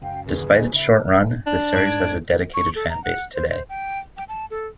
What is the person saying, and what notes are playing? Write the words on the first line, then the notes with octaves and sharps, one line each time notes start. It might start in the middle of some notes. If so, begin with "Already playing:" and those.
Despite its short run, the series has a dedicated fan base today.
C#2 F#2 F5 G5
D#1 D3 C#4 G#4 B4
D#2 C#3 E5 B5
D4
G#2 G#6 D7
C#6
A4
A#5
F#5
C5
C5
G5
G5
A5
A4